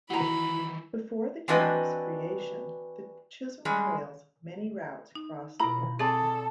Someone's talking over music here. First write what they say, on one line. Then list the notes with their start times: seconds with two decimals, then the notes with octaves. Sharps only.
Before the county's creation, The Chisholm Trail's many routes crossed the area.
0.10 D#3 E3 E4 F#4 A#5 B5
1.48 E3 C4 D4 F#4 B4 D#5
3.65 G3 G#3 C#4
5.15 D#4
5.60 B2 E4 F4 A#5 B5
5.99 C4 G#4 A4 D5